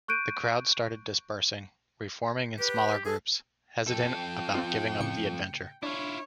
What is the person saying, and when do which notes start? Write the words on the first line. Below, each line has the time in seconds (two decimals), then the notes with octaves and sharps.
The crowd started dispersing, re-forming in smaller groups, hesitant about giving up the adventure.
0.08 C#6 F#6 G6 D7 D#7
2.58 G4 B4
3.05 G#4 A4
3.87 F2 A4 G5
4.55 C4 F4
5.00 A2 C#3 C#7
5.83 D4 E4 F4 C#5